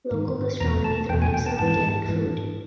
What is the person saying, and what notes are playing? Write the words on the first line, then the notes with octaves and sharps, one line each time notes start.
Local gastronomy thrives on organic food.
G#2 D#3
E2 B2 A#5
A5
E2 B2 G5
G#5
G5
A5
G#2 E3 A5
G#2 E3